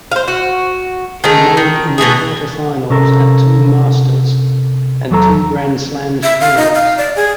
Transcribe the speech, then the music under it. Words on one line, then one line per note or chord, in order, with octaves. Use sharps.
He made in the quarter-finals at two Masters and two Grand Slams tournaments.
C5 F5
F#4
D#3 G#3 A3
D#3
B2 E3 A3 G#4
C3 C#4 A4 A#4
E2 F#3 A4 A#5
E5
F5
D#4
F5
D5
G#4